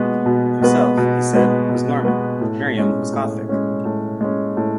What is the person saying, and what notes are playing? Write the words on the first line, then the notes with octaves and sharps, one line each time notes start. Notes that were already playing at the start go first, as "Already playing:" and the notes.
Himself, he said, was Norman, Miriam was Gothic.
Already playing: B2 G#3 B3 F#4 B4
B2
G#3 B3 F#4 B4
B2
G#3 B3 F#4 B4
B2
G#3 B3 F#4 B4
A2
G#3 C#4
A2
G#3 C#4
A2
G#3 C#4
A2